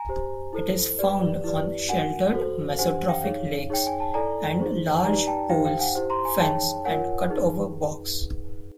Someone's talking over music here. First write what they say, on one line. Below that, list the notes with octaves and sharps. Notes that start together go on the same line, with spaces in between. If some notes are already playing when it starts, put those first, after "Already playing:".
It is found on sheltered mesotrophic lakes and large pools, fens and cutover bogs.
Already playing: G#5 A#5
G4 C5
E4 A4 C5
G4 B4 D5
E4 G4 B4 D5
D4 F#4 A#4 F#5 G#5
F#4 A4 C5
D4 G4 C5 F#5 G#5
F5 G5
D#4 G#4 C#5 F5
D#4 G#4 C#5 G5
G#5
A5
E4 A4 D5 G#5 A#5
D#4 G#4 C5
D#4 G4 B4 D5 G#5 A#5
G5 A5
D#4 G4 C5 F5 G5
F5 G5
F#5 G#5
E4 G4 C5
A#5 C6
G#5 A#5
D#4 G#4 C#5 G5 A5
F4 A#4 C#5 F#5 G#5
D#4 G#4 B4